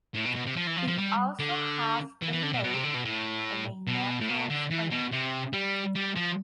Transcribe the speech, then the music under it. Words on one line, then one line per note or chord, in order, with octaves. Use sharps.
It also has a lake and a natural spring.
A2
B2
B2
C3
F3
E3
F3
F3
G3
D3
E3
E3
D3
B2
B2
C3
D3
B2
A2
B2
A2
B2
D3
E3
B2
C3
G3
G3
F3